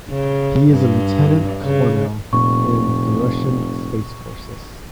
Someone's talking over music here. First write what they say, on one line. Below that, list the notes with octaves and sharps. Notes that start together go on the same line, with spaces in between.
He is a lieutenant colonel in the Russian Space Forces.
C#3
G2
C#3
F1 A#2 C#6